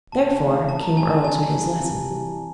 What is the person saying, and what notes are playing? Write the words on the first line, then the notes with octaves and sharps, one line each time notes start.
Therefore, came Earle to his lesson.
C3 A5
E3 A3
C3 A5
A#5
E3 A3 G#5
A5
C3 G#5
E3 G3
C3
E3 G3